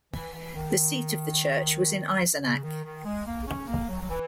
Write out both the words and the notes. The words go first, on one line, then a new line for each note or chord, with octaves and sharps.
The seat of the church was in Eisenach.
E3
E3
D#3
C#3
D#3
D#3
G#3
A#3
C#4
A#3
F#3
F#3
E3